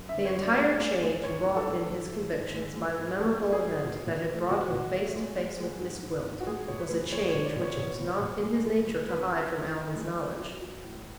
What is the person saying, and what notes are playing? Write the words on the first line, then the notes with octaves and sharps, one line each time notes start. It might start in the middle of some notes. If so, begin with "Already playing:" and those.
The entire change wrought in his convictions by the memorable event that had brought him face to face with Miss Gwilt was a change which it was not in his nature to hide from Allan's knowledge.
Already playing: F#2
E5
D3
C#5
F#2
D5
C#5
G#3 D5
G#3
G#3
G#2 C#5
G#2
A4
G#2
G#2
E3
G#2
G#3
G#3
G#2
G#3 A4
G#3
G#4
G#2
B2
B2
A3
B2 F#4
B2
A3
G#3
G#3
G#3
G#2
G#2
G#2
F#4
G#3 G#4
B2 C#5
B4
G#3
G#3 C#5
C#5
B2
D5
B2
C#5
B2
B2
B2
G#3
G#3
G#3
F#2 B4
F#2
E3
E3
G#3
E3
F#3
F#3
A2